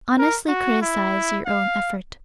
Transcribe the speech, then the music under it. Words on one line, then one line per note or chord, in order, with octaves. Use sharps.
Honestly criticise your own effort.
A#4
F#4
E4
F5